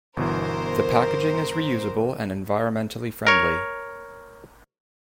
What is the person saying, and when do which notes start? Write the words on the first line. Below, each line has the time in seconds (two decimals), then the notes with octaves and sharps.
The packaging is reusable and environmentally friendly.
0.17 G1 B2 E3 A#4 C5
3.27 A#4 C#5